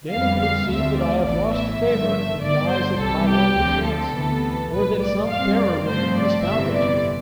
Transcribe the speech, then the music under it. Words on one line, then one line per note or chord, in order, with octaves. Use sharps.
"Then it would seem that I have lost favour in the eyes of my lord the prince, or that some fairer woman has found it."
F2 D3 G3 B3 F5
F5
D2 D3 A3 C4 E5
D5
A1 A2 E3 B3 D5
E5
G1 G2 F3 A3
G1 G2 D3 D5
C5
C2 C3 G3 B3 A4
G4
D2 D3 F3 C4
A4
D2 C3 E3 B3
B1 A2 G3 B4
D5
F2 C3 G3 C4 F5
D5
G2 F3 A3 C4 C5
D5
G1 F2 C3 E3 E5
D5